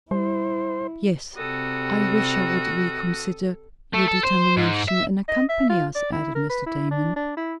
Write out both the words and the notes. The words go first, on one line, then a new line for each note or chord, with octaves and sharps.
"Yes, I wish you would reconsider your determination, and accompany us," added Mr. Damon.
G3 E4 C5
C3 G3 F#4 A4 D#6
A3
A4
C5
G#2
E5
D#5
E5
F4
D5
E4
A#4
B4
E4
D4
D4
E4